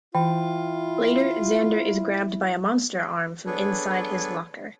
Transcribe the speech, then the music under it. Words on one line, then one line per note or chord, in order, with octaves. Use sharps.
Later, Xander is grabbed by a monster arm from inside his locker.
E3 E4 F4 G5
B3 D4 G#4 A4 B4 C#5